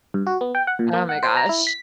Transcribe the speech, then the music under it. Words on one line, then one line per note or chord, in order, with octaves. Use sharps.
Oh my gosh.
G2
F#4
B3
G5
F#5
A#2
A#3
F#5
C5
A#5
E4
B6